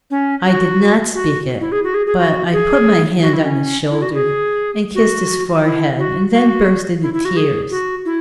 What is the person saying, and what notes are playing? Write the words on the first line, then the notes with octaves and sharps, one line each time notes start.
I did not speak it, but I put my hand on his shoulder and kissed his forehead, and then burst into tears.
C#4
F#4
F#4
E4
G#4
F#4
G#4
G#4
F#4
G#4
F#4
E4
C#4
E4
F#4
G#4
F#4
E4
F#4
F#4
E4
E4
F#4
G#4
F#4
E4